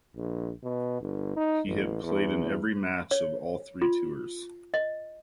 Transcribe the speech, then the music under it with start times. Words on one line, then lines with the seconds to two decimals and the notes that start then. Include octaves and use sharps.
He had played in every match of all three tours.
0.16 A#1
0.63 B2
1.01 G1
1.37 D#4
1.67 A1
2.03 E2
3.11 C#5
3.82 F4
4.74 D#5